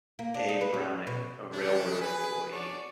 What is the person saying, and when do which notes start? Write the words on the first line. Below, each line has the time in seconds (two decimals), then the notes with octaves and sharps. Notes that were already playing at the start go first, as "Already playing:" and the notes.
A. Browning, a railroad employee.
0.19 A#3
0.34 D4
0.49 D#4
0.61 B4
0.74 C#4
1.07 B2
1.52 C#3 E3 C#4 D4
2.00 G#4 B4
2.51 D4 F#4 C#5 D5